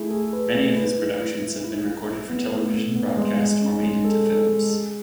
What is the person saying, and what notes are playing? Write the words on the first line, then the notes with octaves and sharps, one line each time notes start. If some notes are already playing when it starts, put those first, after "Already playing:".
Many of his productions have been recorded for television broadcast or made into films.
Already playing: A3 E4 G#4
G#4
B4
A3
B4
E4
E4
E4
E4
E4
E4
B3
A2
A2
B3
G#3
G#3
C#4
G#3
A4
A4
G#3
G#4